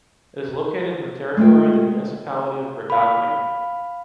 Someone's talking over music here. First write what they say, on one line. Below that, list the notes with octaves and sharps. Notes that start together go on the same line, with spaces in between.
It is located in the territory of the municipality of Bregaglia.
G#3 A3 F4 B4 G5
F5 B5